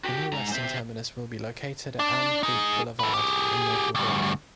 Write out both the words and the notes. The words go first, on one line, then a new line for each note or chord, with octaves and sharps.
The new western terminus will be located at Elm Creek Boulevard in Maple Grove.
F#4 G4
G#2 A#5
C5 E5
D4
D#4 G#4
A4 B4
G4 G#4
D2 G2